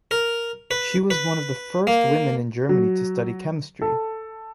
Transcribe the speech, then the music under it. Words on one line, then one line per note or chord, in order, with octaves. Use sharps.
She was one of the first women in Germany to study chemistry.
A#4
B4
B4
A#3
F#3
A4